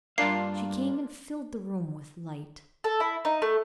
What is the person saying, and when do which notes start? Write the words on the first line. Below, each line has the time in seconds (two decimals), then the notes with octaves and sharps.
She came, and filled the room with light.
0.18 G2 A#3 D4 F4 F5 C7
2.84 A4
3.00 E4
3.25 D#4
3.42 A3